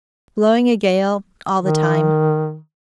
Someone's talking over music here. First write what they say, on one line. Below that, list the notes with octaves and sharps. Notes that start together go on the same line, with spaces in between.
Blowing a gale all the time.
D#3